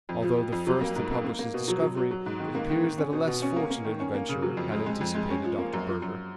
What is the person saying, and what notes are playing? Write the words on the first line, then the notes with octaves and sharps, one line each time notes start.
Although the first to publish his discovery, it appears that a less fortunate adventurer had anticipated Dr. Burger.
F2
F3
F3
F2
F#3
A#3
G#2
A#3
A#3
A#3
B2
F#3
F#3
F#3
F#3
G#2
D#3
A#3
D#3
D#3
C#4
B2
B2
C#4
A#3
A#3
D#3
C#4
A#3
C#3
F#3
F2
G#3
G#3
F2
G#3
C#4
F3
A#3
F#2
F3
F#2